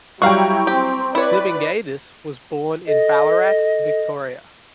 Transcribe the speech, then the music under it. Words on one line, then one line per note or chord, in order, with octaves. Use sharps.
Klibingaitis was born in Ballarat, Victoria.
F#3 G3 E4 F#4 F5 G5 A#5 C#6
C4 G4
E4 B4 C#5 D5
A4 D#5